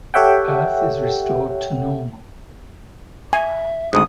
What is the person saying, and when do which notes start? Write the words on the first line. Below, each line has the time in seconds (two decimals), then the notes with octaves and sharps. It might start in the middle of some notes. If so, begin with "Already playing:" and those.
Earth is restored to normal.
0.14 G4 A4 C#5 E5 F#5 G5
3.33 E5 G#5
3.93 G#1 D2 G#2 D#6